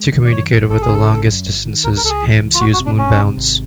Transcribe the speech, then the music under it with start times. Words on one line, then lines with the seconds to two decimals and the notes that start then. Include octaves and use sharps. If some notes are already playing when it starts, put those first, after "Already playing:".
To communicate over the longest distances, hams use moon bounce.
Already playing: G#3
0.12 D#3
0.25 D5
0.31 F#2 C#5
0.51 G#1
0.69 G#1 A4
0.82 G#4
0.89 C#3 A4
1.07 G1
1.27 F#2
1.46 G1
1.65 D#3
1.84 C#2 A#4
1.97 A#4
2.03 C#2 A4
2.09 G#4
2.22 E3
2.41 C#2
2.54 F4
2.60 F#1 F#4
2.73 F#4
2.80 C3
2.86 D4
2.98 F#1 C#4
3.17 C3
3.37 G#1